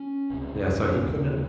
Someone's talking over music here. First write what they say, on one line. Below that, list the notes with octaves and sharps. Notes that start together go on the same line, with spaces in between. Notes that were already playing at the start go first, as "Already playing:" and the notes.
Yeah, so he couldn't
Already playing: C#4
C#2 C3
D#2 C#3